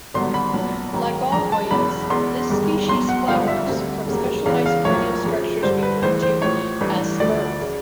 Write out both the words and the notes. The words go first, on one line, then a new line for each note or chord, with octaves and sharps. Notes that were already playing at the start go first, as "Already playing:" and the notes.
Like all Hoyas, this species flowers from specialized perennial structures referred to as spurs.
G#1 G2 D3 F#3 B3 C6
B5
B1 A#2 F#3 B3
G#2 D#3 F#3
F#1 F2 C#3 A#5
A5
F#1 E2 B2 G#3 B3 B5
E2 B2 G#3 B3 C6
G1 G2 D#3 G#3
B1 B2 F#3 C6
F#5
G#1 G2 D3 F3 F5
E5
D2 D3 G3 C4
E1 D#2 C#3 F#3 A#3
E2 C#3 E3 F5
F5
B1 A2 F3 A#3 C#5
F2 C#3 F3
G2 D3 G3 C5
B4
A#1 A2 E3 G#3 C5
C5
A1 A2 F3 C#5
A1 G2 E3 A3 D4
D2 D3 F3 A3 D5
C#3